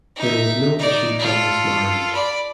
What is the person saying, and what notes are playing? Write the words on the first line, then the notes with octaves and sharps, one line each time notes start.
There was no issue from this marriage.
D#4 E5
D#4 D5
F4 A4
D5 B5